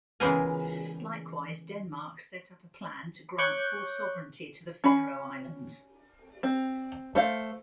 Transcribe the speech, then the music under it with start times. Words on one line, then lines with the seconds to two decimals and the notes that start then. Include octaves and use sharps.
Likewise, Denmark set up a plan to grant full sovereignty to the Faroe Islands.
0.20 C#3 E3 G#3 B3 G#4 A#4
3.38 C#5 C#6 D6 F#6 G6
4.84 C#4 B5
6.43 C4
7.15 A3 C5 F5